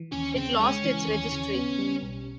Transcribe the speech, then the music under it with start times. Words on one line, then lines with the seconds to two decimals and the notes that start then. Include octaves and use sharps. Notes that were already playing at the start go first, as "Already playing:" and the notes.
It lost its registry.
Already playing: E3
0.12 D#2 C#4
0.36 C#3 C4
0.60 G#3 C#4
0.84 E3
1.07 D#2
1.32 C#3
1.55 B3
1.79 G3
2.02 B1